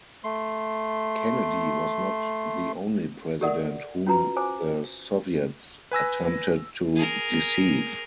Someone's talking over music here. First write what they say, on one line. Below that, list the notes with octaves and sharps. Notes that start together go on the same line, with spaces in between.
Kennedy was not the only president whom the Soviets attempted to deceive.
A3 C6
G4 A4 A#4 D5 E5 F#5
C#4 F4 F#4 B4 A#5
C5 G#5 D6
B4 G#5 E6 A#6
G#4 A#4